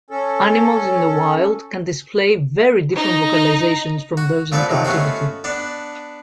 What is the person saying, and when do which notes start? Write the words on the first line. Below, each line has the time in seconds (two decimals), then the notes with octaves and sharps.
Animals in the wild can display very different vocalizations from those in captivity.
0.10 C#4 A4
2.96 D#4 A#5
4.17 F#4
4.52 A#2 F3 B3 A4 B4 D5
4.70 C3 D#3 F3 F#3
4.85 A3 B3 C#4 F4 F#4
5.44 B3 D4 A5